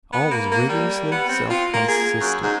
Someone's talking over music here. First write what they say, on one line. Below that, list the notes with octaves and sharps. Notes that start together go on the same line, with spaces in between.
All was rigorously self-consistent.
B3
A#3
A#3
G3
B3
C4
F4
A#3
G#4
F#2
G#2